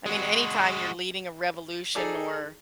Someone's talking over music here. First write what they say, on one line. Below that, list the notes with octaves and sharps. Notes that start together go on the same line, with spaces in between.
I mean, anytime you're leading a revolution or
G#3 F#4
D#4 G#4 A4 D5